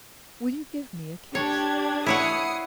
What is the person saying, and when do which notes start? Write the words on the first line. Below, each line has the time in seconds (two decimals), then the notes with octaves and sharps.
"Will you give me a kiss?"
1.35 D4 G4 C#5 G#6
2.06 E4 C#5 F#5 D#6 C7 C#7